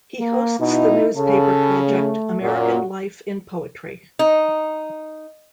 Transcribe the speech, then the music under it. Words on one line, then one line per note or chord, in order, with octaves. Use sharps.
He hosts the newspaper project American Life in Poetry.
A#3
B2 D#4 E4
C#3 A4
A3
F#2 A#2 F#4
D#4